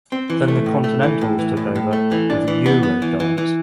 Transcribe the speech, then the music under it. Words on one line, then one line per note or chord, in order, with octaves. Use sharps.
Then the continentals took over with "Euro Dance".
C4
E3
A3
A2
A3
E3
A2
E3
A2
A2
A3
E3
D4
E3
B3
B3
E3
E3
E3